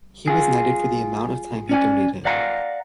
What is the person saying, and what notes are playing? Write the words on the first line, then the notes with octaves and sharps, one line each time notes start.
He was knighted for the amount of time he donated.
F4 G#4
C#4 D5 G#5
D5 F5 F#5 A#5